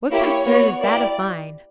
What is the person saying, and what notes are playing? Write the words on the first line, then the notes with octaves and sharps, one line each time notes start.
"What concern is that of mine?"
A#3 E4 G4 C#5
B3
F#4
A#3 E4 G4 D5